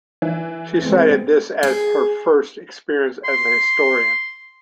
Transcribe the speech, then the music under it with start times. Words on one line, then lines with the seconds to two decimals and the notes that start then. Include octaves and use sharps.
She cited this as her first experience as a historian.
0.22 E3
0.81 G#3 B3 C4
1.63 G#4
3.25 C6